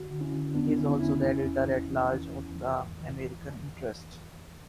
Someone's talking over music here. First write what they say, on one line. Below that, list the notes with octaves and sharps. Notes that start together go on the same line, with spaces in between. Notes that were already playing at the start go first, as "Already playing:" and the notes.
He is also the Editor-at-Large of "The American Interest".
Already playing: D3 F#4
D3
C#4 E4
D3
E2 B3 D4
D3 C#4 E4
E2 C#4 E4
E2 C#4 E4
E2
E3
E3
E3
E2
E3
G#2
E3